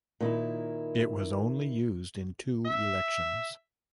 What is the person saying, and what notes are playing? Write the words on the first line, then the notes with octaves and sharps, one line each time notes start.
It was only used in two elections.
A#2 D#3 E4
E5